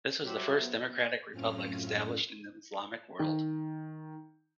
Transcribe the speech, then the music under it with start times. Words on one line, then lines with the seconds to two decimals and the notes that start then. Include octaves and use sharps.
This was the first Democratic Republic established in Islamic World.
0.24 F#3 G3 G4 C5 E5 F#5
0.57 B3
1.31 F#2 A2 C4 C#4 F4 F6
3.19 D#3